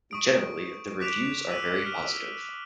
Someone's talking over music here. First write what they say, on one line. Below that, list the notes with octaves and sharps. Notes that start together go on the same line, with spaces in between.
Generally the reviews are very positive.
C#6 D#6 D7
D6 F#6 B6 D7 E7 F7
E6 B6 D#7 F#7
F6